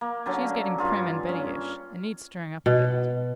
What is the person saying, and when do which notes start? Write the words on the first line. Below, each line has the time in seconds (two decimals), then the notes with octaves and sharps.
She is getting prim and Bettyish, and needs stirring up a bit.
0.01 A#3
0.26 D3 F#3 C#4
0.78 G2 F4 G#4
1.29 C#4
2.66 B2